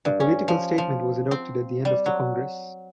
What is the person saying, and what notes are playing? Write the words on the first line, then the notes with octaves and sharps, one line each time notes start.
A political statement was adopted at the end of the congress.
G2
C#4
F3
F3
C4
G3
F#3